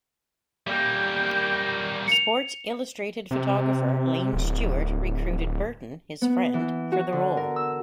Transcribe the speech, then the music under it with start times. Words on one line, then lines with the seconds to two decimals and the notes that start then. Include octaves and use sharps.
"Sports Illustrated" photographer Lane Stewart recruited Berton, his friend, for the role.
0.67 G3 A#3 G5
2.08 C#7 F7
3.31 C3
4.33 D1
6.22 B3
6.54 E3
6.92 F#4
7.12 D3
7.37 A#4
7.56 E6